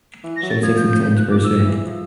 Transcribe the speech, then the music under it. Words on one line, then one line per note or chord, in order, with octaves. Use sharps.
She would take some time to persuade.
E3
A#6
F#3
A6
F3 G#6
G6
G6
F3 G6
F#6
D6
F3 E6
E3
F3